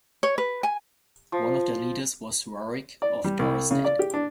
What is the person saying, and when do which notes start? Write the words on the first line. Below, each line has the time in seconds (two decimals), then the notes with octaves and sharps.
One of their leaders was Rorik of Dorestad.
0.23 C#5
0.38 B4
0.63 G#5
1.32 F3
3.02 D5
3.24 G3
3.39 C2
3.71 C#3
3.85 D5
3.99 G4
4.14 D4